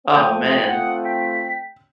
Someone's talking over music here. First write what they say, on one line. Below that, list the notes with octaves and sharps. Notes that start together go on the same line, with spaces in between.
Oh, man.
F3 A3 G5 D#6 G6
A3 C4 F4 F#5
G5 B6